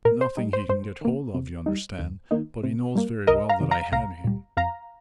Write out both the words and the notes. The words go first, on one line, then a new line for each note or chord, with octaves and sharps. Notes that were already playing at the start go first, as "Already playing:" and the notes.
Nothing he can get hold of, you understand; but he knows very well that I had him.
A#2 A#4
C5
G3 D#4
C5
G2 C5
D#3 A#3
C3
G3 D#4
D#2
D#3 A#3 D#4
C3
G3 A#3
C2 A#4 D#5
F5 A#5
C3 D#3
F5 A#5
C2 F5 A#5
A#2 G3
F2 F5 A#5